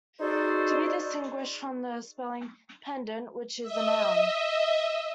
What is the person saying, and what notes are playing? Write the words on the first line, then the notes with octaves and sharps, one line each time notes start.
To be distinguished from the spelling "pendant" which is the noun.
D#4 F#4 G#4 A4 C5 D5
D#5 E5